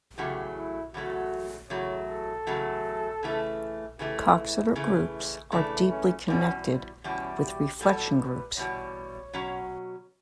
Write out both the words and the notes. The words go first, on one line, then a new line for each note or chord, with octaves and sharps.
Coxeter groups are deeply connected with reflection groups.
E2 C#3 F#3 A3 G4
E4
E2 C#3 F#3 A3 F#4
E2 C#3 F#3 A3 C#5
A4
E2 C#3 F#3 A3
C#3 E3 A3
C#3 E3 A3 G4
E4
C#3 E3 A3
C#3 E3 A3 D4
C#4
E2 B2 G3 C#4
E2 B2 G3 C#4
G4
E2 B2 G3 A4
B4
E2 B2 G3 C#5
B2 F#3 C#4